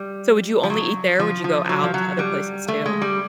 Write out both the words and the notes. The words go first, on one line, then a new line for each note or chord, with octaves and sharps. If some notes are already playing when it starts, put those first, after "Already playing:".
So, would you only eat there or would you go out to other places too?
Already playing: G3
F3
F#3
F3
F3
F3
F#3
F3
F#3
G3
A3
G#3
G3